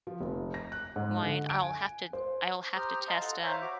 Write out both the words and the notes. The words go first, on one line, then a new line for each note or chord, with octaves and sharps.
wine. I'll have to I'll have to test 'em
F3
F1
A#6
F#6
G#2
D3
D7
G#5
C5
G4 C5 G5 A#5 D#6 F6
D#5 F5 A5 A#5 C6
F4 A4 F#5
C5 C#5 E5 F5 A#5
F#4 D6